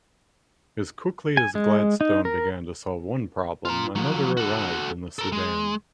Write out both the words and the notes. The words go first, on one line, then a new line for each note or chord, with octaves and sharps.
As quickly as Gladstone began to solve one problem another arrived in the Sudan.
G#5
G#3
D#4
A#4
F4 A#5
F3 F#3
F#4 A4
A4 A#4
G#3